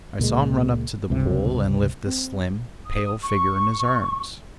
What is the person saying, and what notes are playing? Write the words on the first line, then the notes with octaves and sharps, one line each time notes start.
I saw him run up to the pool and lift the slim, pale figure in his arms.
C#2 A#2 F#3 G#3
C#2 G2 C3
C4
D#6
C#6